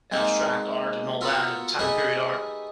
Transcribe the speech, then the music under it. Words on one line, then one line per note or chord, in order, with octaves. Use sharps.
abstract art and all that and time period art.
G#3 A#3 C4 D#4
B3 F4 F#4 A4 A#4
A3 D#4 G4 G#4 B4 D#5